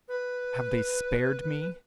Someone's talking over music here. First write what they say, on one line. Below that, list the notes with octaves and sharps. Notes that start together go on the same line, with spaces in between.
Have they spared me?
B4